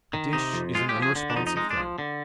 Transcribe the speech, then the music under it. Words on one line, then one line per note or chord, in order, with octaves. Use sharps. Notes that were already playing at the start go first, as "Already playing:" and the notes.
A dish is an unresponsive thing.
D#3
C3 D#4
F2
G#3 F4
G4
F3
G#4
D3
D4
F2 D#4
D#4
G#3 D#4
D4
F3
D3